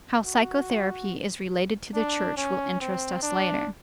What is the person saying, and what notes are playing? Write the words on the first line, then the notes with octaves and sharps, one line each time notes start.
How psychotherapy is related to the church will interest us later.
F#4
D4
C#4
C4
D4